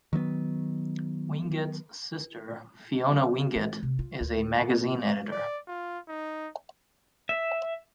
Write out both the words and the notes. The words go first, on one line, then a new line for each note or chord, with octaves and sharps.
Wingett's sister, Fiona Wingett, is a magazine editor.
D#3 F#3 A#3 B3
E3
C3
F4
D2
D5
F4
D#4
E5